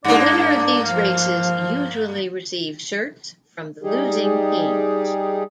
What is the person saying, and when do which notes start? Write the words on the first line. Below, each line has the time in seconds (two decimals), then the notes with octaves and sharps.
The winner of these races usually receive shirts from the losing teams.
0.04 G2 A#3 D4 D5
0.85 F3 F5
3.83 G3 D#4 G4 G#4